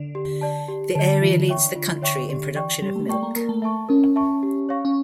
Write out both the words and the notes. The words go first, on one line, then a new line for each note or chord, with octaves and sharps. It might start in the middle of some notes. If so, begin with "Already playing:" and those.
The area leads the country in production of milk.
Already playing: D3
G4
D5 A5
G4
D3 D5 A5
E3 F4
D3
C#5 E5 G5 C#6
D3
D3 F4
D3 C#5 E5 G5 C#6
D3 G4
D3
E3 D5 G5 C#6
G3 G4
A3
A3 D5 G5 C#6
A#3
A#3 A#4
A3
A3 E5 A5 C#6
C#4 A#4
E5 A5 C#6
G4
C#5 F5 C#6
C#4